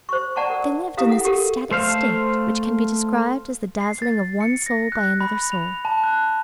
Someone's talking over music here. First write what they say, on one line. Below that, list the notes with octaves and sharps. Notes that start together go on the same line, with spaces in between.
They lived in this ecstatic state which can be described as the dazzling of one soul by another soul.
C5 C#6
D5 F#5 A5 A#5 C#6
A#4 E6
E4 G4 F5 A#5 D#6
A4 F#5
G4 A4 A#4
A3 C5 F5
C7
A6
C#7
A#6
F#6
B5
F7
A5
F#6